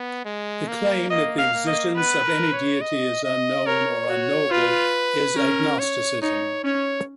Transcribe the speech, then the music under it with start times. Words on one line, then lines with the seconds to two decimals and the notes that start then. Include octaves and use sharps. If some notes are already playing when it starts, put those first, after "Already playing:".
The claim that the existence of any deity is unknown or unknowable is agnosticism.
Already playing: B3
0.25 G#3
0.68 A#3
1.10 A#3 D#5
1.39 F5
1.53 A#3
1.67 D#5
1.96 B3 B4
2.24 A#4
2.52 C#5
2.81 D#5
3.24 D#5
3.66 A#4 C#5
4.10 F#4
4.51 F4 B4
5.37 C#4 A#4
5.79 C#5
6.22 D#4 C#5
6.64 C#4 C#5